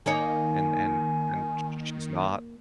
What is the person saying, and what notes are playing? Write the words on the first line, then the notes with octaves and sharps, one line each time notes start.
and and and sh sh she's not.
D#3 A#3 D#4 C#5 G#5